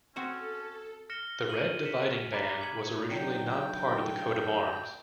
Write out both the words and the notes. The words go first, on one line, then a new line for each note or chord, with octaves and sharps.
The red dividing band was originally not part of the coat of arms.
C4 C#4 F#4 A4 C5
F6 A#6 C#7 E7 G7
D#7 F#7
B6 C#7 E7
A#5 B5 D6 B6
G#6 C#7 F#7
D3 F#3 D#4 G5